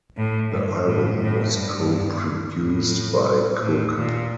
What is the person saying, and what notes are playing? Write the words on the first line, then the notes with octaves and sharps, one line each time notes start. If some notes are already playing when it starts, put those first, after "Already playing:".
The album was co-produced by Cook.
A2
G2
A2
A2
G2
A2
A2
A#2